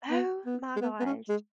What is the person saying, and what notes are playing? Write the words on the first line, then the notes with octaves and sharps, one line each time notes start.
Oh my gosh.
B3
B3
G#3
B3
B3
C#4
G#3